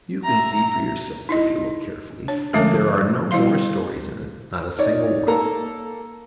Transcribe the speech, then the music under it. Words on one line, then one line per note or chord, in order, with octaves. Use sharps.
You can see for yourself, if you look carefully, that there are no more stories in it; not a single one.
E5 A#5
D#4 E4 D#5
D4 C#5
D3 F3 G#3 A3 C#4 A#4
G3 E4 C5 F5 C6
D#4 C#5 D5
A#3 A4 A#5